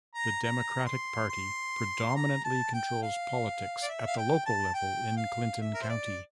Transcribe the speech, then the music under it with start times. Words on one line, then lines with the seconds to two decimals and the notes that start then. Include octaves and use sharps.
The Democratic Party predominantly controls politics at the local level in Clinton County.
0.15 A#5
0.43 A#5
0.86 C6
1.30 C6
2.16 A#5
2.44 A5
2.73 G5
3.03 F5
3.83 D5
3.88 E5
4.07 F5
4.18 G5
4.46 A5
4.74 G5
5.17 F5
5.61 E5
5.74 A#4
5.82 C5
5.89 D5